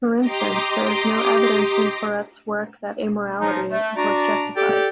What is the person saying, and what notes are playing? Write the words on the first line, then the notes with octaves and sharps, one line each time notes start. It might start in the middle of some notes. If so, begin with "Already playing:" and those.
For instance, there is no evidence in Porete's work that amorality was justified.
G4 D#5 A#5 C6 D6
F3 F#3 D#4
A3
D4 F#4 D5 A#5
G4 A4 D5 G5